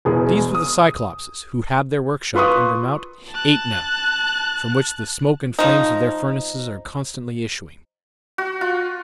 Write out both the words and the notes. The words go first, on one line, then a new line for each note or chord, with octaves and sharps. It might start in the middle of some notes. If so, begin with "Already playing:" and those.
These were the Cyclopes, who have their workshop under Mount Aetna, from which the smoke and flames of their furnaces are constantly issuing.
E1 E2 G#4
D#6
F4 B4 C6 C#6 D#6
A5 F#6
F3 D#4
F#4
F4